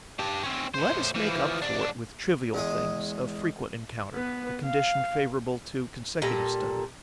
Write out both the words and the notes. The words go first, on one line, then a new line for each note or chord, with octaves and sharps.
Let us make up for it with trivial things of frequent encounter, a condition favourable to consecutive study.
G4 A5
C4 C#4
A2 C5
E3 F3
G#2 D4
E2 G#3 G#4
B3 B4
F5
A#2 G3 A4 A#5